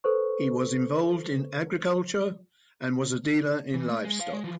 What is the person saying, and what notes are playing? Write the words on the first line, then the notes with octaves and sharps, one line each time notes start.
He was involved in agriculture and was a dealer in livestock.
A4 B4 C5 C#6
E3
A3
G#3
C5 F5
G#3
E3 F3